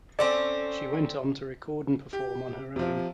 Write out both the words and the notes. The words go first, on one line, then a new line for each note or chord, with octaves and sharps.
She went on to record and perform on her own.
C4 C#4 A4 D5
G4
C3 F3